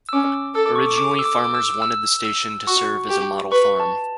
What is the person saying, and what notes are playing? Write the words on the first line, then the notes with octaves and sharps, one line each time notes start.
Originally, farmers wanted the station to serve as a model farm.
E6
C#4 D6
A4 E6
D6
C#6
D6
D6
E6
D6
D6
E6
E6
E6
F#4 C#6
G4
B4 C#6
A5